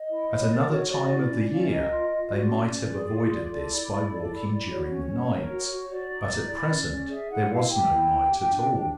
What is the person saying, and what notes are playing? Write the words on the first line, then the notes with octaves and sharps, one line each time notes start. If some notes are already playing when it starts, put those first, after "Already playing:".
At another time of the year they might have avoided this by walking during the night, but at present there was no night at all.
Already playing: D#5
E4
E4
C#5
A#4 D5
D5
F#4 C#5
F#4 D5
E4 D5
C#4
C#4 F5
E5
A#4 D#5
F4
F4
F#4 D5
C#4
C#4
G#4
F4
F4
A4
E4
E4
A4
E4
E4
F#4 C#5
C#4
C#4
A#4
F#4
F#4
F#4 D5
D#4
D#4
E4
C#4
C#4
G#4 E5
E4 F#5
E4 F5
G4 G5
E4
E4
G4
D4
D4